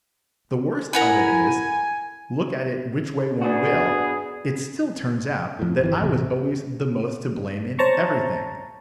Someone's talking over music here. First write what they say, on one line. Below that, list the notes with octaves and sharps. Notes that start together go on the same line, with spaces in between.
The worst of it is, look at it which way one will, it still turns out that I was always the most to blame in everything.
E4 A#4 F#5 G#5 B5
B3 D4 F#4 G#4
F2 A2
G1 E3
A1 E2 C3
C5 C#5 A5 A#5 C#6